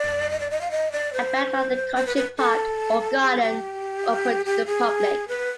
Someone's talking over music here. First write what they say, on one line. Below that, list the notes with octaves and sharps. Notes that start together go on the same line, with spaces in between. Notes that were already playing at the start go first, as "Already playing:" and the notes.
About are a country park or garden, open to the public.
Already playing: D5
D#5
D5
D#5
F5
D#5
D5
C5
C5
B4
B4
A4
G#4
G4
G4
G#4
B4